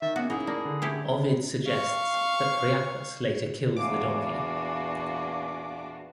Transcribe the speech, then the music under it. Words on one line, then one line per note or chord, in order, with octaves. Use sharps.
Ovid suggests that Priapus later kills the donkey.
D#3 E5 A6
A#3 B3 C#4 F#4
D#4 E4 G#4
A#3 D5 A5 A#6
D3
C#4 E4 G4
F5 C#6
E2 A#2 D4 F#4 F5 G#5 D6